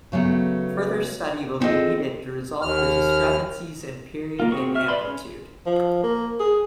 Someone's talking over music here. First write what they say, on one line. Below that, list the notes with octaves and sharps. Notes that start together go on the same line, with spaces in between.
Further study will be needed to resolve the discrepancies in period and amplitude.
C#3 F#3 A3 B3
B3 C4 F4 G#4 A4 D#5
D#2 F6
A#3 F4
C4 F#4 G#4 C#6
E5 F6
B4 D5 B5 C6
C#4 C#5
F3
A#3
G#4